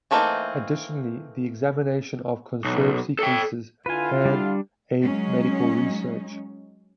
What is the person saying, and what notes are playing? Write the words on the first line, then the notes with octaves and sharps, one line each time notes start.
Additionally, the examination of conserved sequences can aid medical research.
E3 A3 A#3 C4 D#4
B1
A4 G5
D3 E4 F4 B4 G#5
G3 D4
F#3 G#3 C#4 D#4